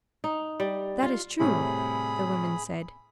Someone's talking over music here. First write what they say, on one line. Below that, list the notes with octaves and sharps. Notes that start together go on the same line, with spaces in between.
"That is true," the women said.
D#4
G3
F4
A2 C3 G3 G#4 B5